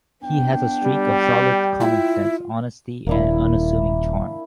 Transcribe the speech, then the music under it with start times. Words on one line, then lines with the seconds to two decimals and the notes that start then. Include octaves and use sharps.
He has a streak of solid common sense, honesty, and unassuming charm.
0.24 B3 D4 G5
0.84 G3
1.80 E4 F4
3.07 D#1 A#3 D4 E4